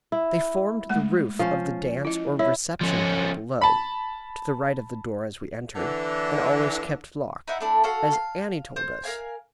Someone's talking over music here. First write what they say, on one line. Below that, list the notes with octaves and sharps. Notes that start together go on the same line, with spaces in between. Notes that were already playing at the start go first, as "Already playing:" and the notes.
They formed the roof of the dance or reception hall below--to the right of the door as we entered--and always kept locked, as Annie told us.
E4
G#3 A3 F#5
F3 C#4 C5
E4 D#5
E4 C#5
F3 C#4
A5 B5
D3 E3
D#4 E4 E5 F#5
A3 D4 E4
F#4 A4 F5
F5
C5
A#4 C#5 F5 G#5